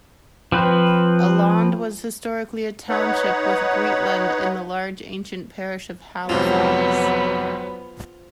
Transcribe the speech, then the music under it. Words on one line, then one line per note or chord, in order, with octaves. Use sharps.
Elland was historically a township, with Greetland, in the large ancient parish of Halifax.
F3 C4 B4
D#4 B4 C#5 F#5
F2 G#2 C3 F3 F#3 B3